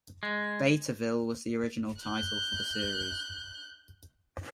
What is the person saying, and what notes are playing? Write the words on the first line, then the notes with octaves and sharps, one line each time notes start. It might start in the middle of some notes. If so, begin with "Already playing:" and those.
"Betaville" was the original title for the series.
G#3
F#6 G6